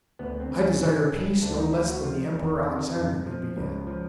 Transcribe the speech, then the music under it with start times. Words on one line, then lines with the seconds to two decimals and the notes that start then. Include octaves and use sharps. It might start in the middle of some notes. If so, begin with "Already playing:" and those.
"I desire peace, no less than the Emperor Alexander," he began.
0.19 D2 B3
0.40 C4
0.50 D2
0.60 C#4
0.80 G2
1.12 G2
1.42 D2 D4
1.57 D#4
1.73 D2 E4
1.88 F#4
2.03 F3 F4
2.34 E2
2.65 C3
2.95 F2
3.26 F3
3.57 C#2
3.87 F3